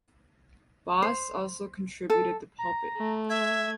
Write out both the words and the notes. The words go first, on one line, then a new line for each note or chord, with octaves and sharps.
Bos also contributed the pulpit.
C5
A4
A#5
A3
E5 G#6